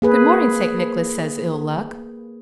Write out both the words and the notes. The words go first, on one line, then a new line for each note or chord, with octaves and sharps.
"Good-morning, St. Nicholas," says Ill-Luck.
A#3 G#4 B4